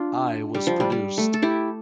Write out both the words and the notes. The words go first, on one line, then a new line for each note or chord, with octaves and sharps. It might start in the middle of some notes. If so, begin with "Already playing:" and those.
Eye was produced.
Already playing: D4 F4
G3
F3
G3
G3
A3
A4
E4 G4